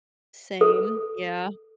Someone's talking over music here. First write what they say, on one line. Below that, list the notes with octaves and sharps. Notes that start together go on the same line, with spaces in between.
Same, yeah.
A4